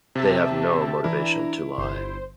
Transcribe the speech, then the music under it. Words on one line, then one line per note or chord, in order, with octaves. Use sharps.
They have no motivation to lie.
C3 G4 E5 A5
E3 D4 E4 A#5
G1 C5